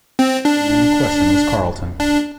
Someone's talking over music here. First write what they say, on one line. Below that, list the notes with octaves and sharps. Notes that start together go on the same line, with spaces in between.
The man in question was Carlton.
C4
D4
D4